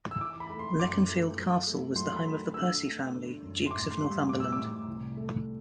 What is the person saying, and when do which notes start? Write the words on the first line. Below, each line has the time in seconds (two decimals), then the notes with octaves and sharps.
Leconfield Castle was the home of the Percy family, Dukes of Northumberland.
0.11 E6
0.20 E3 D6
0.40 B5
0.50 A3
0.59 C6
0.79 F#2 D6
1.08 A3
1.38 F#3
1.67 A3
1.95 F#3 C6
2.16 B5
2.25 A3
2.54 D3 E6
2.83 A3
3.13 D3
3.42 F#2
3.66 C6
3.70 A2 D6
3.91 C6
4.00 G3
4.29 A2 D6
4.40 E6
4.52 D6
4.58 A2
4.88 C2
5.17 A3